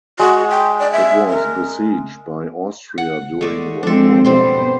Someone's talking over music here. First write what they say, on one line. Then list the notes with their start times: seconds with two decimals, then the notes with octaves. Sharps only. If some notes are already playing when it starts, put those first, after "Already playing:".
It was besieged by Austria during World War One.
0.19 G#3 F#4
0.50 G5
0.79 D5
0.92 E5
1.29 A#4
2.98 F#5
3.41 G#3 A3 D5
3.83 F3 G#3 C4 D4 A4
4.25 B2 G3 B3 C4 C5 C6